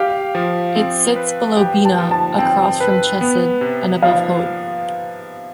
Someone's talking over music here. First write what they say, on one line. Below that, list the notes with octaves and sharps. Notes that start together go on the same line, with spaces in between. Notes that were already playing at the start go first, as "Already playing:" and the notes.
It sits below Binah, across from Chesed, and above Hod.
Already playing: G4 F5
F3
C4
B4
G4 G5
A5
F3
A5
C4 G5
B4
B3
C3
F3 F5